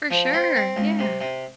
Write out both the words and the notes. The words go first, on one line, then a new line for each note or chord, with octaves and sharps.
For sure, yeah.
F3
C4
C4
C#2
C3
C3